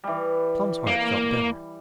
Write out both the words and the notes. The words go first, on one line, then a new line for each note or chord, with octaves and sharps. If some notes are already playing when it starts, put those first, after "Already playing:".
Tom's heart felt better.
E3 G3
A#3